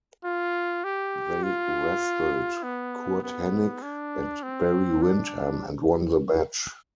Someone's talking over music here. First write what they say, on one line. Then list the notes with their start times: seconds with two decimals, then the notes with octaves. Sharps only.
They wrestled Curt Hennig and Barry Windham and won the match.
0.24 F4
0.84 G4
1.43 F4
2.63 B3
3.23 B3
3.82 D4
4.43 C4
5.02 D4